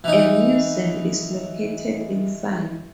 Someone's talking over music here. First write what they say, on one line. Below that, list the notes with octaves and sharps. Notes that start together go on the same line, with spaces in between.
A museum is located inside.
E3 D#4